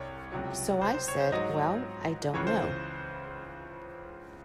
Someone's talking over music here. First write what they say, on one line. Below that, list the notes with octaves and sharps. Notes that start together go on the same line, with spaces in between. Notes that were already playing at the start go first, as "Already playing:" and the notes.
So I said, 'Well, I don't know.
Already playing: C2 C3 C#5
C#2 C3 F#3
C5
C5
C#5
C5
G#2 F#3 D#5
C#2 C#3 E3 C#5
C5